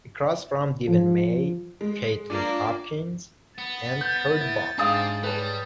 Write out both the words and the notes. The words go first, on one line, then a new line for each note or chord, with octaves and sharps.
Across from Deven May, Kaitlin Hopkins, And Kerry Butler.
F3
G#3
A#3 D4 F4 D5
B3 A6
G6
E4
G#2 C4 D4 G4 G#4 F5 D#6
G3 B4 C#5 A5